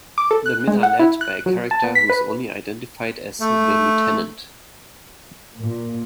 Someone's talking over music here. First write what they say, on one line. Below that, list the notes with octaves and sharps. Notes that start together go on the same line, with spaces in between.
The men are led by a character who is only identified as "the Lieutenant".
D6
A4
F#6
G#3
F#5
E4
F#6
F#3
A5
B3
B6
B4
A3
A#2